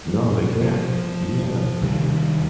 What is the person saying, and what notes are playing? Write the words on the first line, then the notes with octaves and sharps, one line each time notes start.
No, they can't. Yeah.
F3
D#2 C3 D#3 G3